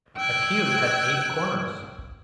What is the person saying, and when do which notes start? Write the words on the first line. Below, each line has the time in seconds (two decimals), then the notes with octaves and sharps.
A cube has eight corners.
0.16 G5 E6 F#6 G#6